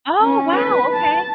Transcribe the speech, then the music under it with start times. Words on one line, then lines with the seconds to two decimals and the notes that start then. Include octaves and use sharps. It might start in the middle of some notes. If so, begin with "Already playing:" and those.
Oh, wow. Okay.
0.21 C#4
0.56 B4
0.93 A5